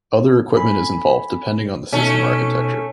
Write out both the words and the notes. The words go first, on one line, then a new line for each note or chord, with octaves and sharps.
Other equipment is involved depending on the system architecture.
A4 G#5 B5
B2 A3 C#4 D#4